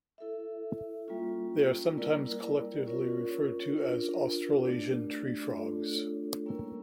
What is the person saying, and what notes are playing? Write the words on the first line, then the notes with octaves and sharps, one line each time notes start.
They are sometimes collectively referred to as Australasian treefrogs.
E4 A4 E5
G3 A#3 C#4 F4
G3 A#3 E4 A#4 D5
C#4 F4 A#4 C#5
D4 F4 A#4
A3 D4 G4 D5
A3 D4 F4 A4 C#5
G3 A#3 C#4 E4 A#4